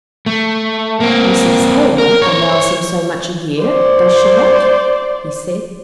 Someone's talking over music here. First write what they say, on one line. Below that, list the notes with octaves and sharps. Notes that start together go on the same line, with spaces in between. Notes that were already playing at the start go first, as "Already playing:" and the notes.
"Mrs. Helmer allows him so much a year--does she not?" he said.
A3
A#3 C4
A#4
C5 C#5
C5 D5